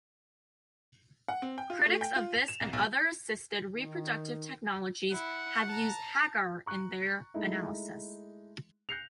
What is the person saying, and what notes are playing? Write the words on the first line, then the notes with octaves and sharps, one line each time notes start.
Critics of this and other assisted reproductive technologies have used Hagar in their analysis.
F#5
C4
G5
F4
A3
G5
F4
F7
E7
C2
B1
D#3
E4 F#5
A5 A#5
A#5 C#6 F#6
G#3 A3 D#4 E4
F#6 G6 A#6 C7 C#7 F7